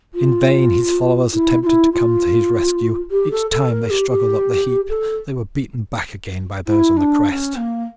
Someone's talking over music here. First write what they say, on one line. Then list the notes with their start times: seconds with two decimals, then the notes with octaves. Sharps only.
In vain his followers attempted to come to his rescue; each time they struggled up the heap they were beaten back again by those on the crest.
0.14 F4
1.33 E4
1.62 F4
1.67 E4
1.92 F4
3.11 G4
3.31 A4
3.50 A4
3.70 A#4
3.90 G4
4.10 G4
4.89 A4
6.67 E4
6.97 D4
7.26 D4
7.30 C#4
7.56 A#3